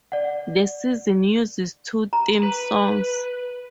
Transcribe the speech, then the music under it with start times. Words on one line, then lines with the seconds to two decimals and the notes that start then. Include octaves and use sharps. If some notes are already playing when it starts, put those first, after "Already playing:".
The season uses two theme songs.
0.12 D5 F#5
2.13 A#5
2.43 B4